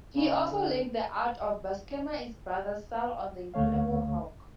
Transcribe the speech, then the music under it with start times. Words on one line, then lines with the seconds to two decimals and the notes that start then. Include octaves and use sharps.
He also inked the art of Buscema's brother Sal on "The Incredible Hulk".
0.15 C#3
0.50 D3
3.54 D2 D3 A3 C#5 F5